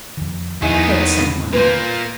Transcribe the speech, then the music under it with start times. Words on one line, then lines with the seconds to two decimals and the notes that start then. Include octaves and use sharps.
Hurt someone.
0.17 F2 D#3
0.62 E2 D#3 F3 B3 E4 G#4 D#5
1.53 A#2 A#3 B4 C5